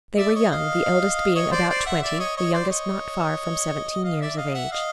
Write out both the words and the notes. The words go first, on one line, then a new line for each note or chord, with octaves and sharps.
They were young; the eldest being about twenty, the youngest not far from seventeen years of age.
D5 E5
C#5 D#5
D#5 F5
C#5 D#5
C5 D5
C5 D5
E5 F#5
D5 E5
C#5 D#5
C#5 D#5
C5 D5
C#5 D#5
D#5 F5
D5 E5
D#5 F5
E5 F#5
D#5 F5